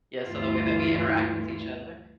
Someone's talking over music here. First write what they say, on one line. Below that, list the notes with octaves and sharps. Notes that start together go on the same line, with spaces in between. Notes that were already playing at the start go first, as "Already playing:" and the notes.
Yeah, so the way that we interact with each other.
D2 G2 E3 E4 F4